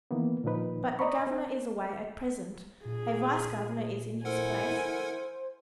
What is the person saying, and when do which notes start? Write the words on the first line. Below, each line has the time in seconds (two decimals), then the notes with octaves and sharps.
But the governor is away at present; a vice-governor is in his place.
0.11 D#3 E3 A#3 B3
0.44 A#2 D#3 F3 D#4 B4
0.99 D5 D#5 A#5 B5 C#6
1.27 C4
2.85 A#2 G#4
4.25 E4 A4 A#4 C5 F#5 G#5